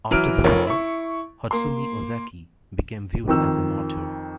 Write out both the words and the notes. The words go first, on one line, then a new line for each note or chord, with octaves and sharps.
After the war, Hotsumi Ozaki became viewed as a martyr.
E3 F#3 F6 D7
F1 F4 A#4 C#5
E4 C#6
A#3 C6
F2 D#3 E6